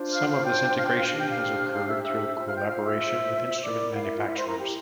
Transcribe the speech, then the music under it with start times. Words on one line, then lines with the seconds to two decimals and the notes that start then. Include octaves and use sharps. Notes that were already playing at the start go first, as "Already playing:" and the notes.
Some of this integration has occurred through collaboration with instrument manufacturers.
Already playing: D4 F4 C5
0.12 F5 F6
0.29 F5 F6
0.45 G5 G6
0.77 F5 F6
0.87 G5 G6
0.98 F5 F6
1.08 D4 G4 C5 F5 F6
1.19 G5 G6
1.30 F5 F6
1.72 F5 F6
1.88 E5 E6
2.04 E5 E6
2.36 F4 C5 E5 E6
2.47 F5 F6
2.57 G5 G6
2.68 F5 F6
2.83 E5 E6
3.63 E4 A#4 D5 D6
3.95 F5
4.05 E5
4.15 F4 F5
4.27 E5
4.38 C5 C6
4.48 A#4 A#5
4.59 G4 G5